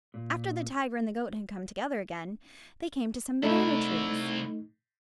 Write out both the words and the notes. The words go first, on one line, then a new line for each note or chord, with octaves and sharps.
After the tiger and the goat had come together again they came to some banana trees.
A#2
C2 A3 D#4 E4